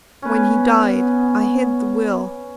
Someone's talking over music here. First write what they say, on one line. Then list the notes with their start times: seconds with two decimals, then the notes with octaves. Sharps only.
When he died--I hid the will.
0.22 B3 C#4 B4